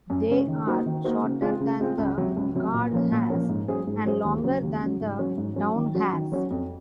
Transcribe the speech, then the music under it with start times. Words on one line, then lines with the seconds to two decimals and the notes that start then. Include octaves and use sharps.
They are shorter than the guard hairs and longer than the down hairs.
0.10 F#2
0.29 C#3 G#3 C#4
0.47 D#3
0.67 A#3 D#4 F#4 C5
0.86 D#3
1.04 A#3 D#4 F#4 C5
1.23 C#3
1.42 G#3 C4 F4
1.61 C#3
1.80 G#3 C4 F4
1.98 C#2
2.18 C3 F#3
2.36 C#2
2.55 C3 F#3
2.74 A#2
2.92 F3 A#3 C#4
3.12 A#2
3.30 F3 A#3 C#4
3.49 G#2
3.68 F#3 C#4 G#4 C5
3.87 G#2
4.06 F#3 C#4 G#4 C5
4.25 D#2
4.43 C#3 F#3
4.63 D#2
4.81 C#3 F#3
5.01 G#2
5.19 F#3 C#4
5.37 G#2
5.56 F#3 C#4
5.76 D#3
5.95 F#3 C#4 F#4
6.13 D#3
6.32 F#3 C#4 F#4
6.51 F2